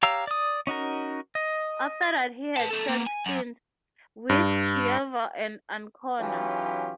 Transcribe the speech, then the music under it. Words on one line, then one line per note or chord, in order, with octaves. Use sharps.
After that he had short stints with Chievo and Ancona.
G4 C#5 F5 A#5 E6
D5 D#6
C#4 D#4 F#4 A#4
D#5
B4 A5
A#3 A4
A#3 B3
G#5
F#2
G2
E3 F#3 C#4 D#4 F4 G4